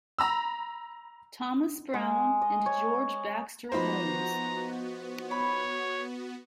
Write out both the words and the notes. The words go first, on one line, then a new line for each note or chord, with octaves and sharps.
Thomas Brown and George Baxter Holmes.
A#5 B5 E6
G#3
D#5
C#5
F3 A#3 B3 D#4 F#4 C5 A#5 B5
C#5 B5